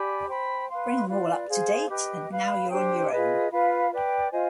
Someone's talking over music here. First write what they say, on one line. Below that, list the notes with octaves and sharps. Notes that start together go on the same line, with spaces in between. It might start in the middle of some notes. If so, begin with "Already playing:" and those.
'Bring them all up-to-date, and now you're on your own.'.
Already playing: G4 D5 G#5 B5
C5 G5 B5
B4 F5 C6
F4 B4 D5 F5
G#4 C5 F5
G4 B4 D#5 G5
B4 F5 B5
D4 G4 C5 G5
F4 G#4 B4 D#5
F4 B4 F5 B5
B4 D5 G5
F4 C5 D#5 G#5